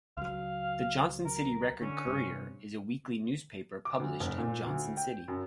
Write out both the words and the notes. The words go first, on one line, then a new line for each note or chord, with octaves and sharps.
The "Johnson City Record Courier" is a weekly newspaper published in Johnson City.
C#2 F#3 F5
A#4
D3 C#4
G2 C3
D6
D2
F1
A#2
D2
G5
F#2